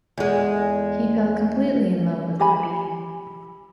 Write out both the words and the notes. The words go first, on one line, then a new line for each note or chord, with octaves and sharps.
He felt completely in love with Abby.
E2 G#3
G4 G#5 B5